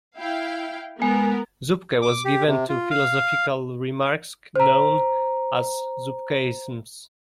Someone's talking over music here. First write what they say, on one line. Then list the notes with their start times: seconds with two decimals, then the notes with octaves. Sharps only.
Zuppke was given to philosophical remarks, known as Zuppkeisms.
0.17 E4 F5 G5
1.02 G#3 B3 A#4
2.02 D6
2.25 G4
2.47 C3
2.69 F4
2.90 F5
4.56 C5 A#5